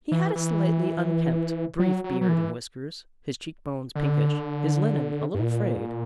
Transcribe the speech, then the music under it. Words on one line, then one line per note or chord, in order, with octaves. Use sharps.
He had a slightly unkempt, brief beard and whiskers, his cheek-bones pinkish, his linen a little frayed.
E3
E3
F#3
F#3
F#3
E3
D3
G2
A#2